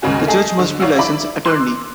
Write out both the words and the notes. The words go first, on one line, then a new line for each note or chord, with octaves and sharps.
The Judge must be a licensed attorney.
D#2 G#2 C#3 C#4 F#4 G#5
A3 G#4 D#5 A5
D3
A#1 C#5 D5 F5 F#5 E6
E4 D5 B5 D6
C6 D6 E6 F#6